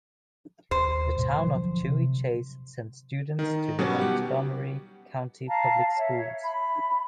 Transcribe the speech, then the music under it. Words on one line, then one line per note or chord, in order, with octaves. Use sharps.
The town of Chevy Chase sends students to the Montgomery County Public Schools.
D#2 C5
G#2 B2
D3 F3 F#3
C3
D#3
B2 F#3 G3 C#4 F#4
G4 F#5
F5 A5 A#5
C#5 E5
B5